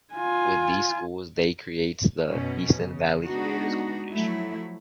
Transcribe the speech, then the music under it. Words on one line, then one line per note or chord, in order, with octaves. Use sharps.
With these schools they creates the Easton Valley Community School District.
F4 G#5
F#2 B2 C#4
C#3
G#3 B3 D4 D#4 F#4
F3 F#3 A3 E4